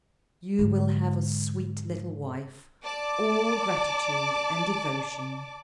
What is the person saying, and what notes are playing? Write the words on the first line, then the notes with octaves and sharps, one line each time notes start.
You will have a sweet little wife; all gratitude and devotion.
G#2 D3
D5 A5 D6